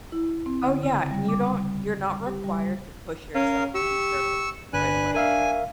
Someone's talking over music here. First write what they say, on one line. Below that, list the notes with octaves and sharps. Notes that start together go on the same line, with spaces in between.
Oh, yeah, and you don't you're not required to push yourself and be perfect right away, a
E4
C4
D3
C#3
G3
D6
G4
G3
C#4 A#4 F5
G4 C#6 E6
G1 D4 B4 G#5 F#6
A#4 E5 F5 G#5